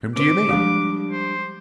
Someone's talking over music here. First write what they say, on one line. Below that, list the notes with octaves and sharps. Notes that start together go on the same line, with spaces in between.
"Whom do you mean?"
C4 C5 D6
F3 G3 G#3 D4
C5